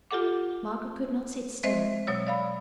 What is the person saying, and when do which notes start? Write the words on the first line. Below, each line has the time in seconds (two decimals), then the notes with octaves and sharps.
Margaret could not sit still.
0.11 F4 G4 A4 F#5 D6
1.64 G#3 C4 C5 D#5 E5
2.07 B2 F#3 C#5 E6
2.27 D5 F5 B5